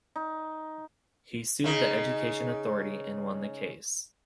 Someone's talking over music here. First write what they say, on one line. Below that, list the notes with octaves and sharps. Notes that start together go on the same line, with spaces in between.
He sued the education authority and won the case.
D#4
C#3 D#4